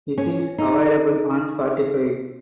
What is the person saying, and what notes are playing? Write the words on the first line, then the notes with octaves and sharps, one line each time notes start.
It is available on Spotify.
C#4
D#4